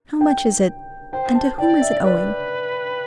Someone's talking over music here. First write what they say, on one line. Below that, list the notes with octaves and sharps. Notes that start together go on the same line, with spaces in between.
How much is it and to whom is it owing?
G5
C5 G5
A5
D5 G5
E5
B4 D5